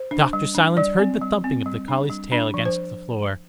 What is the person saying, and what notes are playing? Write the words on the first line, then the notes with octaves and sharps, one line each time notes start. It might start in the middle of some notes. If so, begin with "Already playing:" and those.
Dr. Silence heard the thumping of the collie's tail against the floor.
Already playing: C5
D4
G3
D4
G3 D5
C4
G3
C4
G3
D4
G3
D4
F3
C5